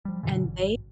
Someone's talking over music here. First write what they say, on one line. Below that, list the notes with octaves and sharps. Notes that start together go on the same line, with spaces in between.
And they,
F3 G3
F#2 B2 D3 E3
G#1